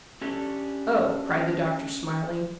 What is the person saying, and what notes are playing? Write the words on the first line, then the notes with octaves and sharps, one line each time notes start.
"Oh," cried the doctor, smiling.
C#4 D4 G4 A4